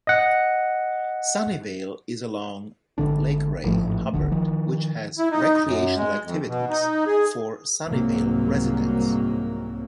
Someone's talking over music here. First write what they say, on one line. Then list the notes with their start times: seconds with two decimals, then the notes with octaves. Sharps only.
Sunnyvale is along Lake Ray Hubbard, which has recreational activities for Sunnyvale residents.
0.07 D#5 F#5
2.98 G#1 C#2 D3 D4
3.64 A1 G#2 F3 A3
4.14 D1 G#1 D3
4.32 D#3 F3
5.19 E4
5.31 D#4
5.66 F#2
5.96 G#3
6.24 F2
6.48 B2
6.70 D#4
7.07 G#4
7.86 C2 G#2 C3 F#3 A#3